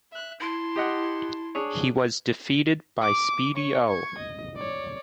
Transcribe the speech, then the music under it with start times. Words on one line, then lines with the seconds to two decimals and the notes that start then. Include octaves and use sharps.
He was defeated by Speedy O.
0.12 E5 F#6
0.40 E4 A5 C6
0.76 G4 D#5 F#5
1.55 D4 G#4 C#5
3.02 D6
3.55 C#5 C#6
3.87 C#6 G#6
4.18 D#5
4.56 C#5 D5